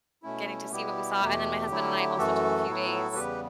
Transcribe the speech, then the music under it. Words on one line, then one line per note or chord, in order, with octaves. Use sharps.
getting to see what we saw, and then my husband and I also took a few days
B2 A3 C#4 E4
B2 G3 B3 E4 G4
E2 B2 A3 G4
D3 F#3 A3 E4
F#2 E3 A3 F#4 A4
A2 F#3 B3 E4
E2 C#3 G3 B3 G4 B4